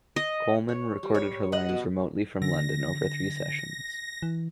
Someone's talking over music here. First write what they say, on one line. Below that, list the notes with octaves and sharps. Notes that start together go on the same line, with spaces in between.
Colman recorded her lines remotely from London over three sessions.
D#5
C#5
G3
C#5
D#5 F#5
B2 B4
D3 A#6
E3